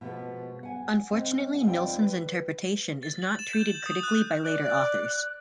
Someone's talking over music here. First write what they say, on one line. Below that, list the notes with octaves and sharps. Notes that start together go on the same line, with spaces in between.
Unfortunately Nilsson's interpretation is not treated critically by later authors.
B2 F3 G#3 A#3 B3
F#5 G#5
G#3 C4
F#5 G#5
D#2 C4 F4 D5 G5
B4
A6
F#7
E7
G6
F#7
D#6
F#6
D5 F#6